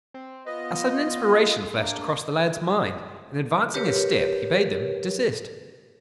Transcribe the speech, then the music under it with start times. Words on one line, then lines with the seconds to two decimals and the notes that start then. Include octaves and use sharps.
A sudden inspiration flashed across the lad's mind; and, advancing a step, he bade them desist.
0.14 C4
0.46 B3 F4 D#5
1.78 A#3 D4
3.74 G4 A#4 B4 C#5